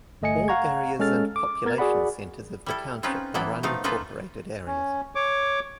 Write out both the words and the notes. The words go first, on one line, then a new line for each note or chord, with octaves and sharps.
All areas and population centers of the township are unincorporated areas.
G1 A3 D#5 G#5 C#7
F5 F#5 A#5 C#6 G#6
G#3 C#4 A4 F6 A6
D6
B3 A#4 G#6 A6
F#4 G#4 D5 F#5 B5
G3 E4 A4
C4 C#4 D#4 F4 B4
E3 F#3 A#3 B3 E4 A4
B2 F3 A3 D#4 F5
A#3 D#4 F4 A4 B4
C#4
C#5 D6